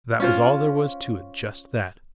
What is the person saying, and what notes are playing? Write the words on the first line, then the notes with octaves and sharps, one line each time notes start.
That was all there was to it--just that!
C#4 F4 C5